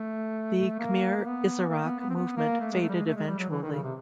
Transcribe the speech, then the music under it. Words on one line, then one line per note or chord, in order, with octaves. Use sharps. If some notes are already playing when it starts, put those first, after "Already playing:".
The Khmer Issarak movement faded eventually.
Already playing: A3
A#3
A#3
B3
A#3
B3
B3
C4
B3
A#3
A3
G#3
A3
G3
G#3
A3
G#3
G3
F#3
E3
D#3
C#3
C3